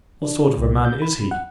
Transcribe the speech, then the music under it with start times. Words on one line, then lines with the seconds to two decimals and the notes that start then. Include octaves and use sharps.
"What sort of a man is he?"
0.22 D4
0.39 D4
0.58 C2
0.85 G6
1.02 B5
1.31 F#5